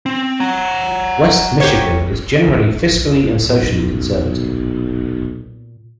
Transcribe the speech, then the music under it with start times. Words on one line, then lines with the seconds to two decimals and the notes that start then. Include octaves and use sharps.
West Michigan is generally fiscally and socially conservative.
0.06 C4
0.40 F#5 A#5
1.60 G4 C#5
3.49 B1 A#2